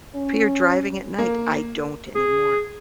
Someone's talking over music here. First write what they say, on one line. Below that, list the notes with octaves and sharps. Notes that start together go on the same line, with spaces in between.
Fear driving at night. I don't anymore.
C#4
A#3
G#4